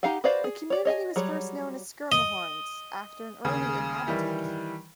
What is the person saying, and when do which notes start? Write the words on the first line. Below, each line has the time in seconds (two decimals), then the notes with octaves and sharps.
The community was first known as "Schermerhorn's" after an early inhabitant.
0.03 D#4 G4 F5 F#5 G#5
0.24 F#4 B4 C5 D5 F5
0.44 G#4
0.70 C#5 D5
0.85 C#5 D#5 E5 G#5
1.16 F#3 G3 G#4 C#5
2.12 D#5
3.44 D#2 C#3 G#4
4.07 D#3 E3 G3